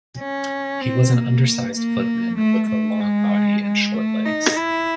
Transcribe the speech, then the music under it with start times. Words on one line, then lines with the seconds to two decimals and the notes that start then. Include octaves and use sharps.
He was an undersized footman, with a long body and short legs.
0.19 C#4
0.81 C4
1.13 A#3
1.75 A#3
2.38 A3
2.69 A3
3.00 G#3
3.63 G#3
3.94 A3
4.25 D#4
4.56 E4